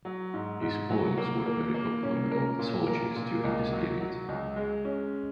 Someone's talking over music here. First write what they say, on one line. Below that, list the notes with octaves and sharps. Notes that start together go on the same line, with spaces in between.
His poems were very popular among the soldiers during this period.
F#3
G#2
G#2
F#3
A#3
A#3
A#3
C#4
A#4
A#2
A#4
A#2
C#2
F#3
F#3
C#2
G#3
C#4